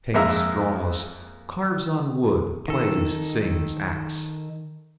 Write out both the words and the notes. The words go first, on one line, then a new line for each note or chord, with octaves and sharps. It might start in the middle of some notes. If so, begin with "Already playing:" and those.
"Paints, draws, carves on wood, plays, sings, acts."
F2 G#3 A#3 E5 A#5 E6
D#3 A4